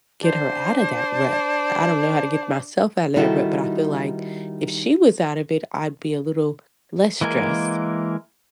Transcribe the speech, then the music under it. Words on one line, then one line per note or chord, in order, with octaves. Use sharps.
get her outta that rut. I don't know how to get myself out of that rut, but I feel like, if she was out of it, I'd be a little less stressed.
D4 C5
D#3 G3 D#4 E4 F#4 A4
E3 G#3 A#3 A#4 G#5